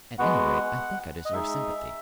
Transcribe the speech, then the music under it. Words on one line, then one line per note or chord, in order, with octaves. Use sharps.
At any rate I think I deserve sympathy.
G#3 B3 F#4 F#5
D#5
G#3 D#4 G#4 E5